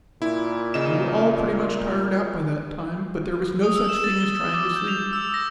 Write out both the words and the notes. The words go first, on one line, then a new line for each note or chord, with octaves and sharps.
We were all pretty much tired out by that time, but there was no such thing as trying to sleep.
A#2 E4
C#3 D#5 E7
D#6
E6
E7
A6
G7
E6
D6
G6
F7
E6
A#6